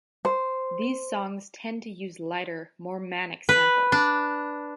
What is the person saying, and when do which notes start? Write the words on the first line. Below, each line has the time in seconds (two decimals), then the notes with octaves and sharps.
These songs tend to use lighter, more manic samples.
0.25 C5
3.49 B4
3.92 D4